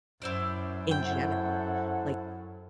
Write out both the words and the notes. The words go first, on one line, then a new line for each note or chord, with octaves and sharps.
in general. Like,
F#2 E4 C5 D5
E4 A4 C5 F#5 G5